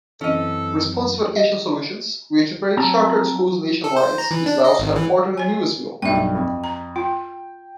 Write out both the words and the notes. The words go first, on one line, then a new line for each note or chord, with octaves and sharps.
Responsive Education Solutions, which operates chartered schools nationwide, is also headquartered in Lewisville.
F#2 E3 C4 C#4 A4 D#5
D#5
F#3 C4 A5 A#5
A4
C5
A#5
E3
D4
D#5
G#1
E3
C#5 G#5
B1 G2 E5 G5
F2
A#5
F4 G5